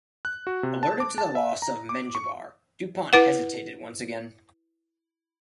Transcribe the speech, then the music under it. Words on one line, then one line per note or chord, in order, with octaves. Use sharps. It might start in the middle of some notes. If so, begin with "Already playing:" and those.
Alerted to the loss of Mengibar, Dupont hesitated once again.
F#6
F#4
C3
A5
D6
A5
E5
A#5
D6
C#6
E4 B4 F#5